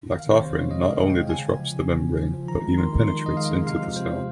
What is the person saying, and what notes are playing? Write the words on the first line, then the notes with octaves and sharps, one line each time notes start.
Lactoferrin not only disrupts the membrane, but even penetrates into the cell.
D#3 F5
C3
C5
C3 C#5
C3
G#3 D#5
G#3 F5
G#3
G5
G#3
C#3 G#5
C#3
F3
C#3
C#3
F3
F3
F3
D#3 A#5
G#3
D#3 C6
G#3
D#3 C6
D#3 D#5
G#3 F5
G#3
C3 F5
F3
C3 C5
C3